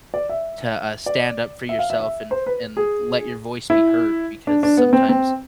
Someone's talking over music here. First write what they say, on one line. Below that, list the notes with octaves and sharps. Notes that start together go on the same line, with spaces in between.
to, uh, stand up for yourself and and let your voice be heard, because sometimes
D5
E5
D5
E5
F5
E5
E5
C5
B4
G#4
E4
D4
D4
B3
C4
C4